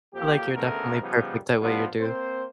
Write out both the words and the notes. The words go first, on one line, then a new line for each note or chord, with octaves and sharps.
I like you're definitely perfect the way you do.
F2 F3 A#3 G4
D2 C#3 A3 B3 A#4
C#3 F3 G3 B3 D#4
F3 G3 B3 D4 F4
A#3 C4 C5